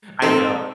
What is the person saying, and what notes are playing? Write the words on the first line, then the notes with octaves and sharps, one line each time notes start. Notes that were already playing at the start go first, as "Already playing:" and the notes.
I know.
C4 D#4 A4